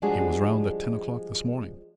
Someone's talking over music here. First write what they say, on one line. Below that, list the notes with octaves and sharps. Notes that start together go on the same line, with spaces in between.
"He was round at ten o'clock this morning."
F3 G3 G#3 D4 F#4 G#4